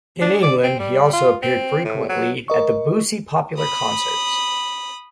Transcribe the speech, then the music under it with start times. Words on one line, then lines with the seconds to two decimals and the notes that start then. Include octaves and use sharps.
In England he also appeared frequently at the Boosey popular Concerts.
0.21 D4
0.42 D5
0.63 C4
0.79 G3
1.13 F4
1.43 C4
1.85 A2
2.09 F#3
2.48 A#4 D#5 C#6
3.58 B5 D#6